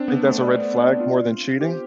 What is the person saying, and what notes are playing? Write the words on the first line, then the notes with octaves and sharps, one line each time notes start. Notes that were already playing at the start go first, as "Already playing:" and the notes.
Think that's a red flag more than cheating?
Already playing: C4 D4
B3
A3
C5
D5
F4
G4 C5